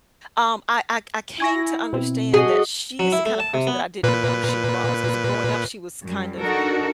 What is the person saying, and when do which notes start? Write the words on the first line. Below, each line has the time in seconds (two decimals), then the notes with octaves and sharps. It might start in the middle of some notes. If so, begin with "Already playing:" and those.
um, I I I came to understand that she is the kinda person that I didn't know she was, 'cause growing up, she was kind of,
1.40 E4 G#5 C#6 A#6
1.93 B2 C4
2.34 F#4 G#4 D#5
2.99 F#3
3.12 E4
3.26 A3
3.40 A5
3.54 C3
3.67 B3
4.03 A#2 B4
6.04 F#2 G3
6.39 D4 D#4 F#4 A4 A#4